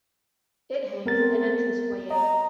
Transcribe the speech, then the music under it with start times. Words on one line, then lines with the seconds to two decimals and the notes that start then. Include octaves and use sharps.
It hangs in the entrance foyer.
1.06 B3 C4 A#4 A6
2.11 D#5 A#5